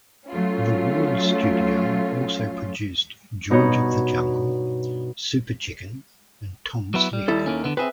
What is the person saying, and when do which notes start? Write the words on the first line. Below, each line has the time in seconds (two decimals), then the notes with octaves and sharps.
The Ward studio also produced "George of the Jungle", "Super Chicken", and "Tom Slick".
0.29 F#3 A3 C#4 F4
3.50 G2 B2 D#4 C#5 F#5 B5
6.94 F#3 B3 E4
7.13 G3
7.28 D#2 E4 A4
7.46 D#3 A#3 C#4
7.64 D3 B3
7.77 C4 G#4 B4 E5